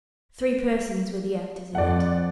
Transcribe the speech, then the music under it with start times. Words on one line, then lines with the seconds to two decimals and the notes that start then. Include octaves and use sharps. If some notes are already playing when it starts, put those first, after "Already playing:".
Three persons were the actors in it.
1.75 F2 D5 F#5